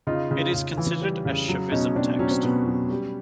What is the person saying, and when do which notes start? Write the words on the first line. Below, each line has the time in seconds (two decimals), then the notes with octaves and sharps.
It is considered a Shaivism text.
0.07 C#3 D#4 F4
0.31 C#3
0.54 C#3
0.77 E3
1.01 G3
1.25 C#3
1.48 F#3
1.72 B2 C#4 D#4
1.95 B2 C4 D4
2.19 F#3 C#4
2.31 C4
2.43 B2 B3 C#4
2.66 F#3
2.90 G3